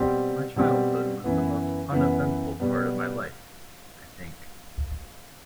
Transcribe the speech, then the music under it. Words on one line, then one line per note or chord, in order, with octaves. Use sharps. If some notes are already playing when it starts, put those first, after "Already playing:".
My childhood was the most uneventful part of my life, I think.
Already playing: B2 G3 C4 G4
B2 G3 C4 G4
F#2 E3 B3
F#2 E3 B3
B2 G3 B3